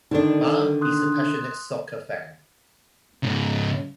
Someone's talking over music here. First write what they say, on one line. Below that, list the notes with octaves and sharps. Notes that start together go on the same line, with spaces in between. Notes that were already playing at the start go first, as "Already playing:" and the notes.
Mah is a passionate soccer fan.
D3 D#3 D4 D#4 A4
C6 D#6 F#6
G#2 C#3